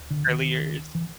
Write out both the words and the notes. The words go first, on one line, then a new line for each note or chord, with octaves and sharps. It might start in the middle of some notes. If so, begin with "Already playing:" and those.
early years?
Already playing: D2
D3
D#3
E3